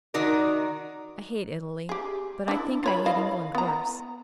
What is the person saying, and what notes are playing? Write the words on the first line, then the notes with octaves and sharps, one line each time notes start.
I hate Italy, but I think I hate England worse.
D#3 D#4 F#4 A#4 D5
G4 G#4
D4 E4
F4 C#5 B5
E4 D#5 F5
B3 A#5